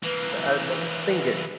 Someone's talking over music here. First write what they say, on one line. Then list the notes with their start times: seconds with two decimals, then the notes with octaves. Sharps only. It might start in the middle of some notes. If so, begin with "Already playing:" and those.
The album Sing It!
0.03 E3 A#3 B4